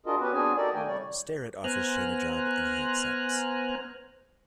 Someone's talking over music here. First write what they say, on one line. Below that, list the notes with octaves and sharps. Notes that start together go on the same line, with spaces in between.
Starrett offers Shane a job, and he accepts.
D4 F4 F#4 G#4 A#4 D#5
B3 C#4 F#4 G4 B4
B3 C4 D4 F#4 G#4 G#5
D#4 F#4 G4 A4 A#4 D5
D2 D#3 A3 A#3 G5 G#5
C3 G3 C#5 D5
B3 C5 G#5 A#5 F6 F#6